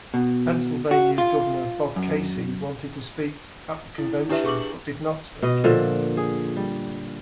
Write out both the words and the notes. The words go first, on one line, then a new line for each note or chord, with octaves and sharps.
Pennsylvania Governor Bob Casey wanted to speak at the convention, but did not speak.
B2
F#4
F4
F#2
E4
D4 E4 G4 B4 E5
G#4 C#6 D6 F#7
B2 D#5
A#2 D3 F3
G#4
G3